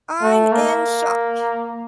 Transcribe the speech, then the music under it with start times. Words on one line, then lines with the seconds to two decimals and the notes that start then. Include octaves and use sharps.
I’m in shock.
0.22 A3
0.52 A#3